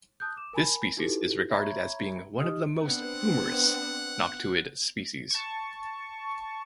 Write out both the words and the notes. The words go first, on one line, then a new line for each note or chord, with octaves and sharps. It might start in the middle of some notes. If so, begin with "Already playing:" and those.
This species is regarded as being one of the most numerous noctuid species.
A5 D#6 F#6 G6
D6 E7
A#4 G#5 A5 B5
D#4 E4 F#4 G4 A4 B4
C#5 E5 A#5 B5 C#6 G#6
D#4 G4 D#5 D#6 F6
B3 C4 D4 F#5
A5 C#6